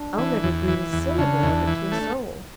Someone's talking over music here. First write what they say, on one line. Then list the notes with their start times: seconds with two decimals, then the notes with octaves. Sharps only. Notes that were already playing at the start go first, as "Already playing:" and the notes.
I'll never breathe a syllable of it to a soul!
Already playing: D4
0.18 E3
0.43 E2
0.68 E3
0.93 E2
1.08 E4
1.18 C#3 D4
1.43 E2
1.68 E3
1.92 A3 C#4
2.00 D4